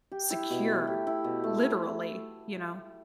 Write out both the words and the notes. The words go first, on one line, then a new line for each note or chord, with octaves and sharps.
secure, literally, you know?
G4
E4
B2
A3
G4
E4
B2
A3